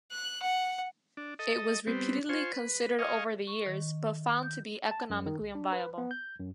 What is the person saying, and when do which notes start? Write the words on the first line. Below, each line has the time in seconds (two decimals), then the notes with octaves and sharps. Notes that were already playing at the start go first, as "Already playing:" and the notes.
It was repeatedly considered over the years but found to be economically unviable.
0.12 F#6
0.43 F#5
1.17 D4
1.39 A4 D#5
1.87 G3 B3 C4
2.29 F4 C5 G#5 C#6
2.53 B4
2.99 D#5 F5 G#5 C#6
3.47 C#6
3.66 D#3
4.43 G6
4.91 A5
5.10 F#2
5.26 D#3
5.41 C2
5.55 D4
5.72 B4
5.98 B3
6.11 G6
6.40 F#2